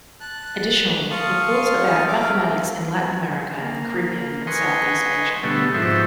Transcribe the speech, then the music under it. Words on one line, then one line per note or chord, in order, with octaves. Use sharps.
Additionally, reports about "Mathematics in Latin America and the Caribbean and South East Asia".
A5 F#6
F5 A5 C6 C#6 D#6 F6
E5 F5 D6
A#3
B4 D#5 G#5 C6 C#6
B2 D3 G3 A3 B3
G#2 F3 F#4 A4 C5 E5